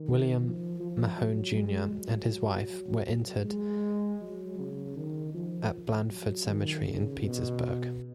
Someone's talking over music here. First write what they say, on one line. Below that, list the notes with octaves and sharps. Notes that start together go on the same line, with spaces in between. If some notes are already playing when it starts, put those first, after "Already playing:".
William Mahone Junior and his wife were interred at Blandford Cemetery in Petersburg.
Already playing: D#3
F3
F3
F#3
G#3
F#3
G#3
F#3
C#3
D#3
F3
F#3
D#3
C#3
B2